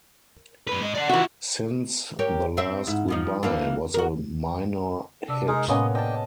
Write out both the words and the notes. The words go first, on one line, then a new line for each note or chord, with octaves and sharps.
"Since The Last Goodbye" was a minor hit.
F#2 B4
G#2 D#5
D5 F#5
E3 F4 F#4 E5
G4 A#4 C#5
C4 C5 E5
G#2 E4
G2 F3 D#4
E3 A#3 D4
F#4 A#4
C3 D4 E6
G#3 D#4 G#4 A#4
A2 A#3 B3 C#4 D#5
D4 D#5 G5 A5